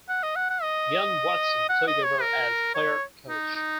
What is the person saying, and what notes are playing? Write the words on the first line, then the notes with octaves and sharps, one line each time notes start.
Ian Watson took over as player-coach.
F#5
D#5
F#5
F#5
D#5
F#5
D#5
C#5
A#4
C#5
D#4
D#4